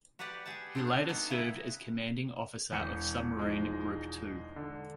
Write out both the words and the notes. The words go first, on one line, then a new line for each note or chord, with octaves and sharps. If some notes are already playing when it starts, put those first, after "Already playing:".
He later served as commanding officer of Submarine Group Two.
F#4 G4 B4 D5 F#5
G#4 F#5 G5 A5
C4 D4 F#5
F#5
B3 D#4 F#4
A#2 C#3 E4 F#4 A#5
E1 C#7
F3 G#3 D#4
D3